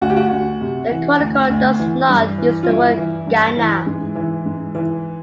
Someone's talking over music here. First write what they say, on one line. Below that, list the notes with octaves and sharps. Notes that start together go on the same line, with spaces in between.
The chronicle does not use the word Ghana.
D2 F#4
G4
F#4
D2
C3
E3
D2
D2
E3
G2
E3
F4
G2 E4
E3
G2
E3
G#2
E3
G#2
E3